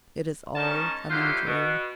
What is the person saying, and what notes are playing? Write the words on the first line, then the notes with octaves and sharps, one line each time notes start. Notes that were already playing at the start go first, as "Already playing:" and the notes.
It is all coming true.
G#2 C#4 D#4 A#4 A5
D3 F#3 E4 F4 G4 C5
B2